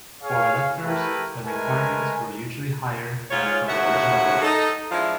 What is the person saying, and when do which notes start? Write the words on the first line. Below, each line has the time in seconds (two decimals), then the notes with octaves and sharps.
For electors, the requirements were usually higher than for the original voters.
0.23 G#4 C#5 F5
0.84 A3 E4 G4 A#4 B4
1.45 G#3 A3 A#4 B4 G#5
3.31 G#2 F4 C#5
3.68 D#2 A2 C#3 F#4 E5 F#5
4.42 D#4 A4
4.91 F3 G#3 D4 E4 F4